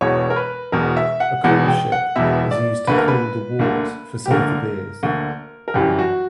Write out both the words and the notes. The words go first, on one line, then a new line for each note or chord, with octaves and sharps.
A coolship is used to cool the wort for some of the beers.
E1 E2 B2 C#5
A#4
B4
E1 E2 B2 A#4
E5
F#5
E1 E2 B2 F#5
G5
F#5
E1 E2 B2 E5
D5
D2 D3 A#3 B4
A#4
B4
D2 D3 A#3
G4
D2 D3 A#3 A#4
D2 D3 A#3
A#4
G1 F#2 E3 G3 G4
F#4